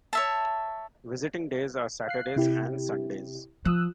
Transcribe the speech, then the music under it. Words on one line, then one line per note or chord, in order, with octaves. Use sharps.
Visiting days are Saturdays and Sundays.
C#5 E5 A5
F5 F#6 C7
C3 E4 G4
F3 D#6 E6 F#6